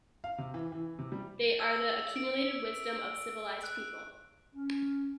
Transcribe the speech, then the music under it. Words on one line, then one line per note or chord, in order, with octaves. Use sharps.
They are the accumulated wisdom of a civilised people.
F5
C3
E3
E3
C3
G3
E6
D7
F#6
C#4